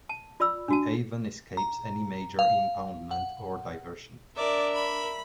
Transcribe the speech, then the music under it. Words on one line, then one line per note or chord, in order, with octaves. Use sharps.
The Avon escapes any major impoundment or diversion.
A5
F4 D5 B5 E6
D4 F#4 A5
A#5
F5
F#5
D4 A#4 D5 E5
B5